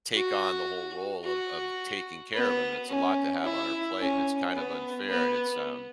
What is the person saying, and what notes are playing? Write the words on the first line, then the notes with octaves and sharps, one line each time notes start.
take on the whole role of of taking care of him and it's a lot to have on her plate and it's kind of unfair and it's, um
F#4
F#4
B3
C#4
E4
C#4
B3
B3